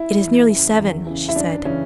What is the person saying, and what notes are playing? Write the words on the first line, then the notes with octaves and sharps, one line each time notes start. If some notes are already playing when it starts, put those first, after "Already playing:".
'It is nearly seven,' she said.
Already playing: E4
E2
C#3 E3
E2
C#3 E3
E4
F#2 D4
C#3 E3 C#4